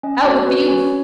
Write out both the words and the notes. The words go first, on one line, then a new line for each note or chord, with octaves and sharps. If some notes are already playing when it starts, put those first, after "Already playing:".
Out with the oof.
C#4 D#5
F#4 C#5
F#4 B4
C#4 C#5